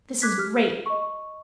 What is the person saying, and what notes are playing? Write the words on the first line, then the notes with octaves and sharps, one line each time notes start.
This is great.
D6 F#6 G#6 B6
G4 F6
D#5 C#6